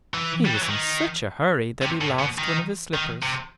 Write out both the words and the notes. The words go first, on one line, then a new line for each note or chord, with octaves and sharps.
He was in such a hurry that he lost one of his slippers.
E3
G3
F#3
E3
D#3
C3
A2
B2
D#3
D#3
C3